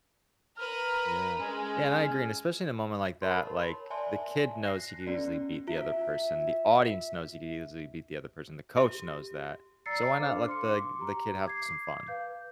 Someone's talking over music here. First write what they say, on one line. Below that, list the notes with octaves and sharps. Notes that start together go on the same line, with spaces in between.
Yeah. Yeah, and I agree, and especially in a moment like that, like, the kid knows he could easily beat the other person, the audience knows he could easily beat the other person, the coach knows that, so why not let the the kid have some fun?
A#4 B4 F6
G#3 C#4
A#4 C#5 A5 B5 C6
D5 E5 G#5 A5 C6
F#6 A#6 C7
B3 C#4 D5
F4 E5
G4
D5 A#5 E6 A6 C7 C#7
D4 A4 C5 F5 D6 F6
C6 D6 C#7
G4 A#5
D6 G#6 C7
B4 F5 G6